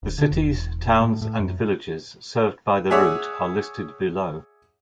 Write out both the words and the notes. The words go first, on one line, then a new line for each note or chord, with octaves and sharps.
The cities, towns and villages served by the route are listed below.
D1
D3
E1
A2
A2
F#2
G#4 C#5 D5 E5 F#5 G#5